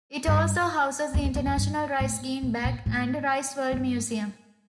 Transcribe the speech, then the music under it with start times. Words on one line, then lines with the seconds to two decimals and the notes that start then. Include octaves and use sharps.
It also houses the International Rice Genebank and Riceworld Museum.
0.27 G2
1.14 E2
1.24 E2
1.35 E2
1.47 F2
1.57 G2
2.00 A2
2.43 A#2
2.65 A#2
2.86 A2
3.72 G2